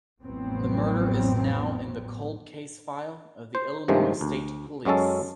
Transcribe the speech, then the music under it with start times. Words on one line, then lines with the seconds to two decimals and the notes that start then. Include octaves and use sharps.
The murder is now in the cold case file of the Illinois State Police.
0.23 A1 F2 A2 F#3 B3 C4
3.55 C5
3.88 G2 C3 D#3 F3 G#3 A3
4.21 D2
4.85 F#2 F#3 G#3 C#4 A4